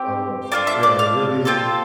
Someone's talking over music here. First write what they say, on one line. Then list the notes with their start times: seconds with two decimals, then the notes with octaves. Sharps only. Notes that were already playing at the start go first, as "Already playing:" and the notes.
so, yeah, it's really
Already playing: C4 G4
0.52 D4 F4 A4 D5
0.67 E5
0.83 D5
0.99 F5
1.45 C4 F4 A4